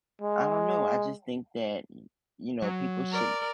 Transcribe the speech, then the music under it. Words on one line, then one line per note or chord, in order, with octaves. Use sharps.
I don't know, I just think that, y you know, people should
G#3
F#3
A#4 D5